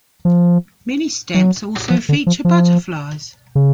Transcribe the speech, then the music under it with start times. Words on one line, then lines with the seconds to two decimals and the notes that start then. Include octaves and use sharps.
Many stamps also feature butterflies.
0.25 F3
1.34 F#3
1.90 F3
2.09 D3
2.27 F3
2.45 F3
3.55 C#3